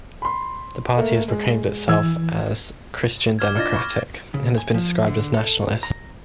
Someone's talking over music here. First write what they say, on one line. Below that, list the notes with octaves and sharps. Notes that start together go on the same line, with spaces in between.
The party has proclaimed itself as Christian democratic, but has been described as nationalist.
B5 C6
A3 A#3
G#3
E3 E6 G#6
D6 F6 G#6
D4 F4 D#5 F6 A6 A#6
B5 C#6
C#3
G#5
F3
D3
A4
A#5